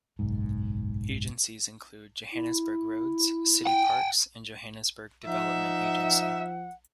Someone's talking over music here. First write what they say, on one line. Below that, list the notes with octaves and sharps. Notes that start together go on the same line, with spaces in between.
Agencies include Johannesburg Roads, City Parks and Johannesburg Development Agency.
F#1 B1 G#2
E4
F#5 G5
F3 D#4 E5 F#5